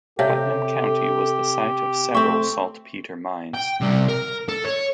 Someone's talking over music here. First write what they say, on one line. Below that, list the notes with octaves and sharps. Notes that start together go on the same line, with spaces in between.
Putnam County was the site of several saltpeter mines.
C3 G4 A4 C#5 E5 F5
A3 C4 E5 C#6
G5
C3 G3
A#4
A4
C#5